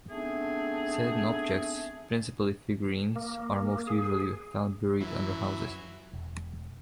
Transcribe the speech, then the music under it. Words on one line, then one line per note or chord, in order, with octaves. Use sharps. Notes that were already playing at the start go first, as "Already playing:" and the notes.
Certain objects, principally figurines, are most usually found buried under houses.
A3 B3 C4 D4 D#4 G#4
A#3
G#4
F#2 E3
E1